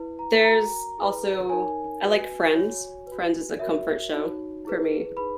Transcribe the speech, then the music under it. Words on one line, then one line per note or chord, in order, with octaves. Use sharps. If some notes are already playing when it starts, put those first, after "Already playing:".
There's also I like Friends, Friends is a comfort show for me.
Already playing: E4 B4
A#5
F#4 A#4 C#5 A#5
E4 G#4 B4
D#4 A#4 C#5 G#5
F#4 B4
F#4 C#5
B4
F#4
F#4 A#4 C#5 E5
D#4 F#4 C#5
E4 G#4 B4
D#4 G#4 B4 B5